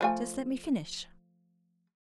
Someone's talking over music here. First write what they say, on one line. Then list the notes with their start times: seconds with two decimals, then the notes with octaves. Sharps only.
"Just let me finish."
0.01 F3 A3 G#5